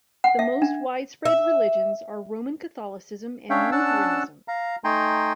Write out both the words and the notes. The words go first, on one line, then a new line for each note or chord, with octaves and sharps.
The most widespread religions are Roman Catholicism and Lutheranism.
F#5
E5
D4
E5
C#4 D4 C#5 E5 F5 G5
C#4 D4 F#5 A5 E6
F5 A#5
A3 D#4 G5 G#5 A#5 C6